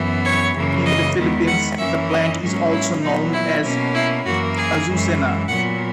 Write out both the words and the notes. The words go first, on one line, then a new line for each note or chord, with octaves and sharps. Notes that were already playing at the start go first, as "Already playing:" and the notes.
In the Philippines, the plant is also known as "azucena".
Already playing: F#2 E3 B3
C#5
F#2 C#3 E3 A#3
D#5
E2 D#3 G#3 B3
F#5
F#2 E3 A#3 C#4 E5
D#5
G#2 F#3 A#3 C#4
E4
A#2 F#3 B3 D#4
E4
B2 A#3 C#4
E4
F#2 E3 A#3 F#4
G#4
F#2 E3 G#3
A#2 F#3 B3 F#5